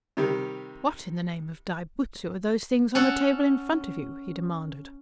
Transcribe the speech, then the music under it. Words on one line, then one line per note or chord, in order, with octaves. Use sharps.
"What in the name of Dai-Butsu are those things on the table in front of you?" he demanded.
C3 D#3 G3
C#4 A4 F#5